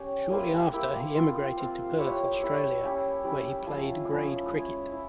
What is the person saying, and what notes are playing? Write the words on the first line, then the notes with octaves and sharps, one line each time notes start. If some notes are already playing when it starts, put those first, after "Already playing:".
Shortly after, he emigrated to Perth, Australia, where he played grade cricket.
Already playing: C#4 G4 C#5
A#3 E4 G4 C5
A#3 E4 G4 C5
C4 F4 C5
C4 F4 C5
E4 G4 C#5
E4 G4 C#5
G3 C#4 E4 G4
G3 C#4 E4 G4
F3 G#3 C#4 E4
F3 G#3 C#4 E4
G#3 C#4 E4
E4